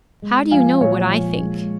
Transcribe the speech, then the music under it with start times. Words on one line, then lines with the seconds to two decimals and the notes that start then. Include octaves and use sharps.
'How do you know what I think?'
0.22 G#3
0.51 F3 F5 G#5
0.80 A#2 C#5 F5
1.10 F3
1.39 G#3